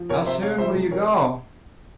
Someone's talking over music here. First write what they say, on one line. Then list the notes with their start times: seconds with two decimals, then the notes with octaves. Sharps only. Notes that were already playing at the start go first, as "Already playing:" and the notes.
"How soon will you go?"
Already playing: F3
0.09 C3 A#4 C#5
0.26 C3 C5 E5
0.42 G#3 C#5 F5
0.58 F3 C5 E5
0.75 C3
0.91 C3 A#4 C#5